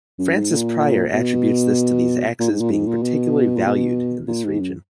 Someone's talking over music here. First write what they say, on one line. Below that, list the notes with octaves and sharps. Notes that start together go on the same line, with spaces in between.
Francis Pryor attributes this to these axes being particularly valued in this region.
F#2
G#2
A#2
B2
A#2
G#2
A#2
G#2
A#2
B2
A#2
B2
A#2
G#2
F#2